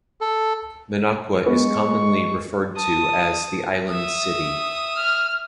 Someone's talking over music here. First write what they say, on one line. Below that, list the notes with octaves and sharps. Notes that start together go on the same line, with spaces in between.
Minocqua is commonly referred to as The Island City.
A4
G#3 B3 C#6
A5 D#6
E5 D#6
F6